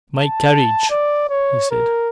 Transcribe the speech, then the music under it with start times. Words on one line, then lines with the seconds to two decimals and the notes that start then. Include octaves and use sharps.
"My carriage!" he said.
0.17 A5
0.90 D5
1.29 C#5
1.71 A#4